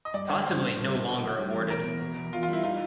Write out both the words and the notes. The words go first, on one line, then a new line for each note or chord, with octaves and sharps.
Possibly no longer awarded.
D#5
G2 D5
D3 C#5
G2 C5
D3
G2
F#3
D3
F#3
G3
E2
B2 A#4
E2
B2
E2
E2 F4
F4
G3 E4
D#4 F4